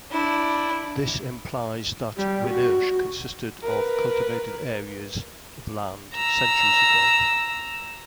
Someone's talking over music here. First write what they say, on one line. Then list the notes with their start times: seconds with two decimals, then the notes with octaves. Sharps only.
This implies that Winnersh consisted of cultivated areas of land centuries ago.
0.10 D4 E4
2.17 G3
2.48 F#4
3.62 A#4 B4
6.14 A#5 E6